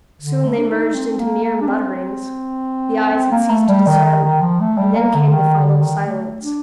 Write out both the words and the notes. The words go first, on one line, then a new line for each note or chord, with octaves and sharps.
Soon they merged into mere mutterings; the eyes had ceased to discern; and then came the final silence.
D3
A3
D4
D#4
C4
C4
A#3
A#3
D4
C4
C4
A#3
A3
G3
D#3
D#3
D#3
F3
A3
G3
A#3
D3
D#3
D3
D#3
A3
D4